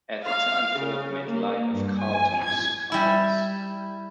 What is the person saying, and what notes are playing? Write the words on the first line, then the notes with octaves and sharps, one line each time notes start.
At the time Ford made light of Carlton's comments.
F5
C#3
A#3
G2
G#5
G#6
G3 E4